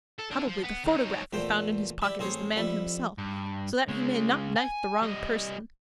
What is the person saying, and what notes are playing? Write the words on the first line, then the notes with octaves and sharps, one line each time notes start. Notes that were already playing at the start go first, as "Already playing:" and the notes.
Probably the photograph we found in his pocket is the man himself, so that he may not knife the wrong person.
A4
D4 A4
F3
B3
D#3 F#3
D#4 C#5
E2 A#2 A3 C5 G5
E4 G4 D5
A1 C4 G#4 C5 C#5
F2 G3 E4
G2
C#3 G#3
G#5
G3 D#5